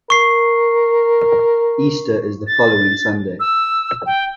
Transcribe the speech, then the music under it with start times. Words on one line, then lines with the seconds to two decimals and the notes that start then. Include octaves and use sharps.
Easter is the following Sunday.
0.10 A#4 C#6 C7
2.47 A6
3.40 E6
4.06 G5